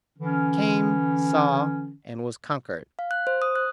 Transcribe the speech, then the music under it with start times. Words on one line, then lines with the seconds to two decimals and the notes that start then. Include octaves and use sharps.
I came, saw, and was conquered.
0.18 D3 E3 C#4
2.99 F5
3.11 F#6
3.27 C5
3.42 D#6
3.56 F#6